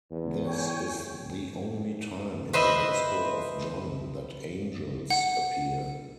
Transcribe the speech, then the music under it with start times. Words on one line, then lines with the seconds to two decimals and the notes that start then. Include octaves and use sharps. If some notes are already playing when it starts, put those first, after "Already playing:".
This is the only time in the Gospel of John that angels appear.
0.11 E2
0.45 C#5 G5 G#5
2.53 B4 C5 D#5 E5
5.10 F#5